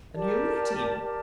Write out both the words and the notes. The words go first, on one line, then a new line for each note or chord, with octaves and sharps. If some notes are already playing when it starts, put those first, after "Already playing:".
"And you let him?"
G4 A#4 D5 A5
G4 A#4 D5 A5